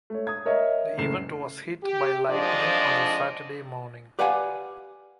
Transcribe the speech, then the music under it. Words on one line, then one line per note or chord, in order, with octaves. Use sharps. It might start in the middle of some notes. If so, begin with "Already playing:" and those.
The event was hit by lightning on the Saturday morning.
A3 C#5
D#6 G#6
A#4 C#5 D#5 E5
F#1 A3 C7 E7
G4
F2 G#2 F3 D4 D5 D#5
G4 B4 D5 F5 F#5 G#5